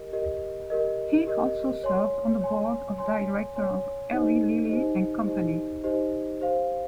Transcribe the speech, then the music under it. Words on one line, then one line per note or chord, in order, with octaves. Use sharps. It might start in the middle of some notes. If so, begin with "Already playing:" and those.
He also serves on the board of directors of Eli Lilly and Company.
Already playing: G4 A#4 D#5
G4 A#4 D#5
G4 A#4 D#5
G4 A#4 D#5
C#5 G#5 C6
C#5 G#5 C6
C#5 G#5 C6
C#5 G#5 C6
D#4 G4 C5 D#5
D#4 G4 C5 D#5
D#4 G4 C5 D#5
D#4 G4 C5 D#5
G4 C5 F5